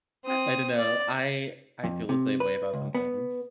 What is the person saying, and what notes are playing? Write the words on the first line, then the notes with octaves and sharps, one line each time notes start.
I dunno. I I feel the same way about some things.
C4 D#6
D5
F2
C3
B4
C#2
B3